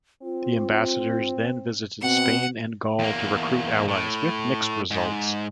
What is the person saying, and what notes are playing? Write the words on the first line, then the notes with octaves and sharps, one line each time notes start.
The ambassadors then visited Spain and Gaul to recruit allies, with mixed results.
C4 F4
B2 C4 F#5
E2 A#3
A2
G#2